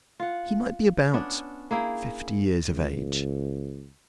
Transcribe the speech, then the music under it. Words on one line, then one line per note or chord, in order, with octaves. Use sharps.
He might be about fifty years of age.
F4 F#5
B3 C#4 D4
A#3 E4 G#4 G5
C#2